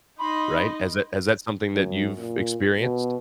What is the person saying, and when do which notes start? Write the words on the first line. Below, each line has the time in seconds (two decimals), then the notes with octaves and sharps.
Right? Is that is that something that you've experienced?
0.19 D#4 D#5 B5 C6
1.74 F#2
2.17 A#2
2.80 B2